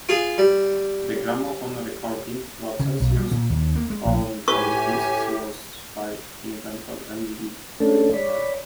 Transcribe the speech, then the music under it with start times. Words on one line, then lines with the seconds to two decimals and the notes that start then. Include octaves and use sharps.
The gramophone recording process used on these discs was by inventor Emile Berliner.
0.09 F4 G#4
0.38 G3
2.79 C#3
3.00 B1
3.17 G3
3.31 A#2
3.50 D#2
3.76 A#3
3.90 G#3
4.05 A#1
4.48 A2 G4 B4 G#5 C#6
7.80 A3 C#4 D4 A4
8.14 C#5 D5 B5